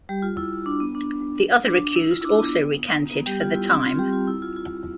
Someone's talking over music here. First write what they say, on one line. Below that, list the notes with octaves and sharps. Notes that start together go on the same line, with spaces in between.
The other accused also recanted for the time.
G3 G4
F4
E4
D4
B3
D4
D4
E4
F4
E4
D4
B3
B3
G3 G4
F4
E4
C4
F4
G3 G4
F4
E4
F4
F4